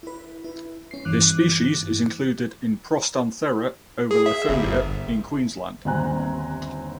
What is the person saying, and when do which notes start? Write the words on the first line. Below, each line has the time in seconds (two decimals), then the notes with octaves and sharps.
This species is included in "Prostanthera ovalifolia" in Queensland.
0.03 E4 B4
0.44 E4
0.91 C#4 C7
1.05 G2 E3 D6 F#6
4.11 G#4
4.26 E5
4.49 G1
5.85 G1 D#2 C4 G#5 A#5 F#6